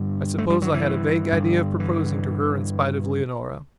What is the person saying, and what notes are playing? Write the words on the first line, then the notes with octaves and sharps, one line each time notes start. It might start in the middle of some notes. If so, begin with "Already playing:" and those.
I suppose I had a vague idea of proposing to her in spite of Leonora.
Already playing: G2 D3
A3
G3
F#3
E3
G2 D3
E3